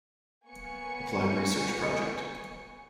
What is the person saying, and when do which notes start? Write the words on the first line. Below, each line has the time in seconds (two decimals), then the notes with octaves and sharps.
Applied Research Project.
0.48 A#3 B3 C#5 G#5 C#6 C#7